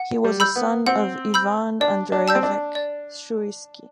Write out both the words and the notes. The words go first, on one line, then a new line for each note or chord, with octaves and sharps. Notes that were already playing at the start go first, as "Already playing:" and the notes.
He was a son of Ivan Andreyevich Shuisky.
Already playing: F#5
G3
B5 E6 G6
B3
C4 F#5
B5 E6 G6
D4 D5
D4
A5 E6 G6
C4
D4
D5